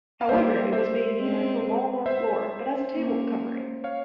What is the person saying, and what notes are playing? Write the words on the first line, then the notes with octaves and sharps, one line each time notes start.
However, it was made neither for wall nor floor, but as a table covering.
F5
G3 A#3 C5 E5
C5 E5
G#3 C4
C5 E5
A#3 C#4
C#5 F5